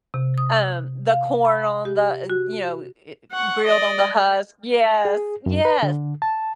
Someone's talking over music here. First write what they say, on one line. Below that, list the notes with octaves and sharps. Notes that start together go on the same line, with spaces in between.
um, the corn on the uh, you know, eh eh, grilled on the husk. Yes. Yes.
C3
D#6
F5
B5
G4
F#4
F#5 C#6
D5 D#5
G#4
F#2
B4
D3
A5